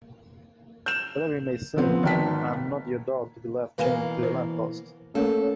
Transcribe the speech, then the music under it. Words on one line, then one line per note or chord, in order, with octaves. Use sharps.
Whatever you may think I'm not your dog to be left chained to a lamppost.
G6 E7
C#3 F3 B3 C4
G#1 G#2 G5 A5 B6
B2 E3 A#3 B4 F5 G#5
C5
A3 A#3 C#4 A4 A#4